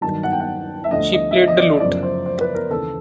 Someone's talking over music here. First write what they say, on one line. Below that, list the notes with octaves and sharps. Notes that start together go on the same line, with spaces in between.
She played the lute.
G2 D#3 F#3 A5
F#5
G5
F#5
E5
D2 D3 F3 D#5
D#5
E5
D#5
D#5
D5
F#2 C#3 F3 D5
C5
C5
B4
A#4
D#2 C#3 E3 A4